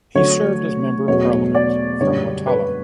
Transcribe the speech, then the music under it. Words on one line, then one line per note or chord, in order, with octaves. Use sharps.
He served as Member of Parliament from the Wattala.
D2 D3 F#3 A3 C#5
E2 B2 F#3 A3 C#5
D5
F#2 D3 G3 C#5
B4